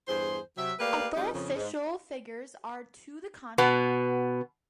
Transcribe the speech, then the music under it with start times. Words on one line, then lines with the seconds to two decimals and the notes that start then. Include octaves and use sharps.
Although official figures are to the contrary.
0.08 E2 G2 G#4 C5
0.57 C3 F#3 E5
0.79 A3 A#3 G4 B4 D5 F5
1.15 F2 G3 D#4
1.34 F2 C#3
1.55 G#2
3.58 B2 B3